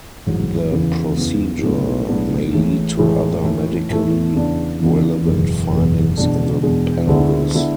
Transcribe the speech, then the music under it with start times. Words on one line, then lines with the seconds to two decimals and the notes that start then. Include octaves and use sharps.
The procedure may lead to other medically relevant findings in the pelvis.
0.26 A1 G#2 F#3
0.71 E2 C#3 E3 B3
1.16 E2 C#3 E3 B3
1.62 B1 A2 G#3 B3 D4
2.07 B1 A2 G#3 B3 D4
2.53 A1 A2 E3 G#3
2.99 A1 A2 E3 G#3
3.44 A2 E3 A3
3.90 A2 E3 A3
4.34 E2 C#3 E3 B3 D4
4.80 E2 C#3 E3 B3 D4
5.25 F#1 E2 B2 G#3 B3
5.71 F#1 E2 B2 G#3 B3
6.17 E2 B2 G#3 D4
6.62 E2 B2 G#3 D4
7.07 D2 D3 G#3 B3 E4
7.54 D3 G#3 B3 E4